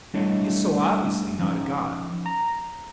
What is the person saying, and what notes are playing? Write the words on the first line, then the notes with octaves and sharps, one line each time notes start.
He is so obviously not a god.
G3 A3 D4 E4 C#5 D#5
F3 C#4 D#4
A#5